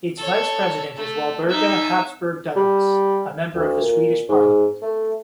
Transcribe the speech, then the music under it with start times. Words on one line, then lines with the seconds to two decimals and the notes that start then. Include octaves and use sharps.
Its Vice President is Walburga Habsburg Douglas, a member of the Swedish Parliament.
0.18 A4 C#5
0.98 A3
1.49 D#4 E5
2.56 G3
3.55 D2
3.81 A#2
4.29 G#2
4.82 A3